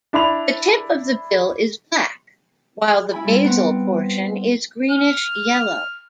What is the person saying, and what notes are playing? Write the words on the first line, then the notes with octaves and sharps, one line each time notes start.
The tip of the bill is black while the basal portion is greenish yellow.
D4 E4 D5 B5 F7
E4 G#5 B5
G3 C4 E4
B3 C4
F6